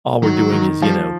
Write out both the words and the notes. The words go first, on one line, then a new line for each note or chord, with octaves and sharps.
All we're doing is, you know,
D#3 F#3
D#3
F3 G3